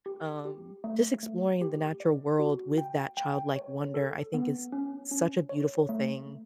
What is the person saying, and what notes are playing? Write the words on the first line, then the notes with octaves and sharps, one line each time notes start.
Um, just exploring the natural world with that childlike wonder, I think, is such a beautiful thing,
G4
G4
A3
A3
G4
D5
F#4
G5
G5
C#5
A4
B3
C#4
C#4
C#5
A3
A3